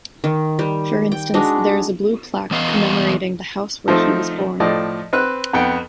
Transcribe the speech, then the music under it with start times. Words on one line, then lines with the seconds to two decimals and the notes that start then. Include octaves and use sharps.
For instance there is a blue plaque commemorating the house where he was born.
0.24 D#3
0.59 G3
1.12 G5
1.34 G#3 D4 D#4 F#4
2.51 E3 B3 D#5 F5
3.88 F3 A3 C4 D#4
4.60 A2 F3 D5 D#5
5.13 C4 B4 F#6
5.53 F2 B3 G5